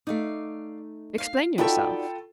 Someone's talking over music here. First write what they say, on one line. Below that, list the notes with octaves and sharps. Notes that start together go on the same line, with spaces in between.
"Explain yourself."
A3 D#4 D5 F5
F5
D#4 F4 F#4 A4 D5 G5 B5 C#6